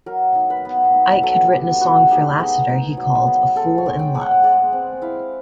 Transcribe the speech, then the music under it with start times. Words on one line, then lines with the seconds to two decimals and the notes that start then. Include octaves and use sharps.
Ike had written a song for Lassiter he called "A Fool in Love".
0.06 F#3 A#4
0.35 D#4
0.50 B4
0.65 B3
0.94 D#4
1.23 F#3 A4
1.51 B3 G4
1.81 B3 F#4
2.11 D#4 G4
2.39 B3 G#4
2.69 D#4
2.97 F#3
3.26 B3
3.56 G#3 A4
3.78 C#5
3.86 G#3
3.99 G5
4.15 G#3
4.21 F#5
4.43 G#3 D5
4.73 C4
5.02 E4 F5